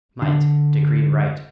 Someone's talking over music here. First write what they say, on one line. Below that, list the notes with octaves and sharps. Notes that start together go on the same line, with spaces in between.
Might decreed right.
D3